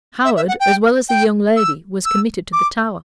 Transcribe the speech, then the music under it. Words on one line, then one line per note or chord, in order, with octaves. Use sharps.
Howard, as well as the young lady, was committed to the Tower.
E5
E5
F#5
G5
G5
E6
E6
D6